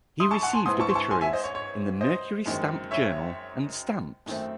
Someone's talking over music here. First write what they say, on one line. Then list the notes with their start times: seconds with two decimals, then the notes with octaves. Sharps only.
He received obituaries in the "Mercury Stamp Journal" and "Stamps".
0.20 C6 D#6
0.31 A5 C#6
0.42 F#5 A5
0.53 G#5 C6
0.65 G#2 E3 C4 C6 D#6
0.80 A5 C#6
0.89 C6
0.95 A5 C#6
1.11 G#5 C6
1.21 E5 G#5
1.33 C5 D#5
1.44 C#5
1.55 C#5
2.01 C5 D#5
2.46 F#2 D#3 G#3 C4
2.91 C#5 E5
4.26 F#2 D#3 A3 C4